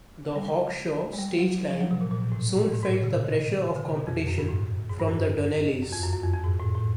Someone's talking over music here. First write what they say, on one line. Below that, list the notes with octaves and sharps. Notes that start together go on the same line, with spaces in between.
The Hawkshaw stage line soon felt the pressure of competition from the Donnellys.
C#3
G3
G#3
G#3
G3
F#3
F3
F#3
C3
A#2
A#2
B2
A2
A2
G#2
A#2
C#3
C#3
D#3
D3
C3
B2
F2
F2
F#2
G2
A2
G#2
G2
F#2
F#2
F2
F#2
F#2
F2
F2
G#2
A2
A2